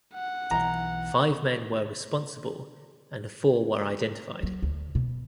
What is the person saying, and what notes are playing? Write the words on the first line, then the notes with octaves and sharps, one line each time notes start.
Five men were responsible and four were identified.
F#5
B1 E3 A#5
F#3
D2
B2